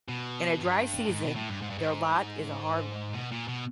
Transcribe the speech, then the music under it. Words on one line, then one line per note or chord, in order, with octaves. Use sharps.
In a dry season their lot is a hard one.
B2
G2
A2
G#2
B2
A2
G2
G#2
G2
G#2
B2
A#2
B2